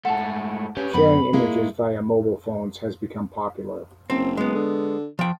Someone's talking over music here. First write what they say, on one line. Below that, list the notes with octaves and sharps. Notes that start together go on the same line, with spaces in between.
Sharing images via mobile phones has become popular.
G#2 A3 F#5 A5
C#4 G4 B4
F#2 B3 C4 B5
G#3 A#3 E4
F#1 C4
G#3 B3
D3
F3 G5